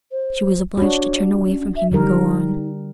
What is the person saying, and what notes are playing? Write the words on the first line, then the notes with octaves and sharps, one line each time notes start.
She was obliged to turn away from him and go on.
C5
D4 F#4 C#5
C#4
E5
D3 G3 D#4 A#4